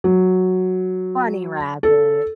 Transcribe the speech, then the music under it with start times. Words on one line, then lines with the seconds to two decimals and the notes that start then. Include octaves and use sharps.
bunny rabbits,
0.04 F#3
1.83 A4